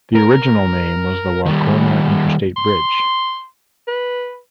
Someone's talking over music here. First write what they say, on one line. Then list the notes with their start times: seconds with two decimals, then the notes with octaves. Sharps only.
The original name was the Waucoma Interstate Bridge.
0.15 A#4
1.46 D#3 G3
2.56 C6
3.87 B4